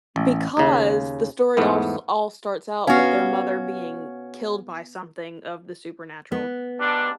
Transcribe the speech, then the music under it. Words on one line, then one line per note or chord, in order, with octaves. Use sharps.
because the story all s all starts out with their mother being killed by something of the supernatural
A1
D#2 C#3
E2 G#2 A3 B3
B3 C#4 F#4 F5
B3
G#2 G3 D4